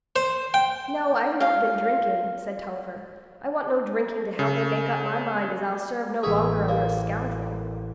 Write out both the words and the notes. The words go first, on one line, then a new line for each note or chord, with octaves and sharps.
"No, I've not been drinking," said Tulliver; "I want no drinking to help me make up my mind as I'll serve no longer under a scoundrel."
C5
G5
F4 F5
C#3
A1 G#4 C#5 E5 D#6
A#3